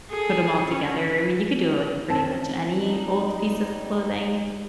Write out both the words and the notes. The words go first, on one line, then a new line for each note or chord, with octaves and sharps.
put 'em all together. I mean, you could do it with pretty much any old piece of clothing,
G#4 A4
C#4
C4 C#4 A5
F#3 G3 D#4